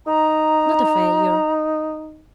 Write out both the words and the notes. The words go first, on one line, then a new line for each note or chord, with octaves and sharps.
'Not a failure.
D#4 A#5